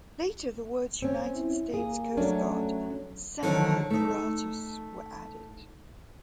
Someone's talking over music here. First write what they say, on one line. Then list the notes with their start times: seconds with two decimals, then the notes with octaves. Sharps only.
Later, the words, "United States Coast Guard-- Semper Paratus" were added.
1.02 C4 C#4
1.34 E4
1.74 A#3 G#4
2.17 F#3 A3 C#4 D4
3.43 D3 D#3 F3 F#3
3.90 A3 D#4